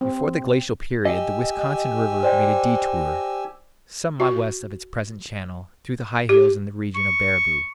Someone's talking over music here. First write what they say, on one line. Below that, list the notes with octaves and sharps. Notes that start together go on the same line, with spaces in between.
Before the glacial period the Wisconsin River made a detour some miles west of its present channel through the high hills in the region of Baraboo.
C4
G4 D#5 G#5 E6
C5 D5 G5
F#4
G4
C#6